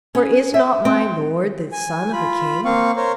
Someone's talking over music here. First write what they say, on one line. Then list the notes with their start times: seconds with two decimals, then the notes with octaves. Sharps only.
For is not my lord the son of a king?
0.15 C#4
0.54 E5
0.85 C4
1.72 G#5
2.13 F4 B5
2.65 A#3 C4 F5 C#6
2.96 A#4 C5 C#5